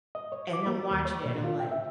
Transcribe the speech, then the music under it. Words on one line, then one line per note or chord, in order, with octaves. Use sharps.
And I'm watching it, and I'm like
D#5
C#5
D6
A#3
D#2
C#5
A#2
F4
G5
E5